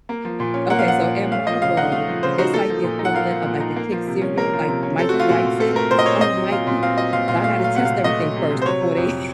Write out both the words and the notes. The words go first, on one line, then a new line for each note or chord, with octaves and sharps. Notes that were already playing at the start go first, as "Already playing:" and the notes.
Uh, okay, so, in my world, it's like the equivalent of, like, the Kix cereal. Like, Mikey likes it. I'm the Mikey. So I gotta test everything first before they
A#3
F3
A#2
C#4
A#3 F#5
F5
F3 F#5
A#2
C#4
A3 F5
F3 D#5
C#3 F5
D#4 F#5
A3 F5
F3
C#3 C5
D#4 F#4
A#3 A4
F3
A#2
D#4
F#5
A#3 F5
F3
A#2
D#4
A#3
F3
C3
C#4
A#3 A#4
F3
C3
C#4
C4 A4
A3 F#4
F4
A#2 F#4
A#2
C4 A4
A3 A#4
A#2 C5
D#5
A#2 C#5
C4 D#5
F#3
A#2 F5
A#2
C4 F5
F#3 D#5
A#2 F5
A#2 F5
A3 F5
F#3
F5
C3 F#5
C3 F5
A3 D#5
F#3
C3
C3
C5
F#3 C#5
C3
F2